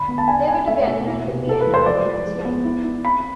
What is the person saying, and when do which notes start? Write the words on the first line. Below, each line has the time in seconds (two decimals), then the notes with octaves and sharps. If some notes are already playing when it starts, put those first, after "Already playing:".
They were together until the end of Roland's life.
Already playing: D3 B5
0.08 B3
0.18 A5
0.28 D4 G#5
0.48 D4 G#5
0.67 A3 E5
0.87 B2
1.07 E4
1.27 C3
1.47 E4 A4
1.61 B4
1.66 E3
1.74 C5
1.86 F3 D5
2.05 F3
2.25 G#3
2.45 B3
2.65 E4
2.84 E4
3.05 C4 B5